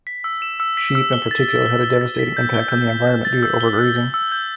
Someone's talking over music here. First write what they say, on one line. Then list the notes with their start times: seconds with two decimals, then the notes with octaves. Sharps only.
Sheep in particular had a devastating impact on the environment due to overgrazing.
0.07 B6
0.24 E6
0.42 E7
0.60 E6
0.77 B6
0.95 E6
1.13 G7
1.31 A6
1.48 A6
1.66 G7
1.83 G7
2.01 A6
2.19 B6
2.37 G6
2.54 G7
2.72 G6
2.90 B6
3.08 G6
3.25 A6
3.43 E6
3.61 G7
3.78 E6
3.96 A6
4.14 E6
4.32 G6